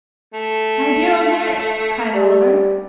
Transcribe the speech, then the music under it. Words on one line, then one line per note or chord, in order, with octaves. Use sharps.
'My dear old nurse!' cried Oliver.
A3
G3